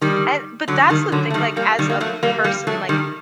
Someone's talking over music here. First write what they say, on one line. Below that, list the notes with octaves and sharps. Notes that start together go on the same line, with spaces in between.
And, but that's the thing, like, as a person, like,
D#3 G3
D3 F#3
D#3 G3
D3 F#3
A3
D#3 G3
G3 A#3
D#3 G3
A#3
F#3 A3
G3 A#3
G3 A#3
F#3 A3
D#3 G3